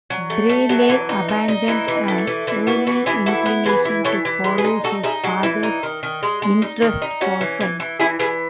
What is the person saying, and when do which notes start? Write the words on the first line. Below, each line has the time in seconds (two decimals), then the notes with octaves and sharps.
Brayley abandoned an early inclination to follow his father's interests for science.
0.10 F#3
0.30 A3
0.49 A3
0.69 F#3
0.89 E3
1.09 D#4
1.28 D#4
1.48 D#4
1.68 E3 E4
1.88 E3
2.08 A3
2.27 E3
2.47 E3 E4
2.67 B3 F#4
2.87 E3 F#4
3.06 E3 E4 G#4
3.26 E4 F#4 A4
3.46 B3
3.66 E3 G#4 B4
3.85 E4
4.05 E3 A4 C#5
4.25 E3
4.44 G#3
4.58 G#4 B4
4.64 D#4
4.84 D#4 F#4 A4
5.03 D#4 E4 G#4
5.24 G#3 F#4
5.43 E3 E4
5.63 D#4
5.83 D#3
6.03 D#3
6.23 G#3
6.42 G#3
6.62 D#4
6.82 D#3
7.02 D#4
7.21 C#4 F#4
7.41 E3
7.60 E3
7.80 E3
8.00 E3 E4 G#4
8.19 E3 G#4 B4